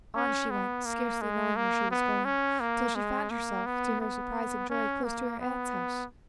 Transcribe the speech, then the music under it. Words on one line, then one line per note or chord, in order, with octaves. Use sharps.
On she went, scarcely knowing where she was going, till she found herself, to her surprise and joy, close to her aunt's house.
C#4
B3
A#3
G#3
A#3
B3
C#4
A#3
G#3
A#3
B3
B3
C#4
A#3
B3